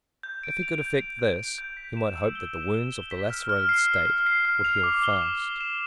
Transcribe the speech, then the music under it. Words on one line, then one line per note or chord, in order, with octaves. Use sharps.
If he could effect this, he might hope that the wounds of the lacerated State would heal fast.
G6
D7
F7
G6
D7
G6
D7
G6
B6
E7
E6
G7
E7
G7
G7
B6
F6
F6
C7
C7
F6
C7
F6
F7
D6
G7
E7
G7
E7